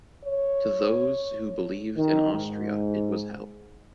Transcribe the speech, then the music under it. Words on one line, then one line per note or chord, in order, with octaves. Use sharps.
To those who believed in Austria it was hell.
C#5
D#3
G#2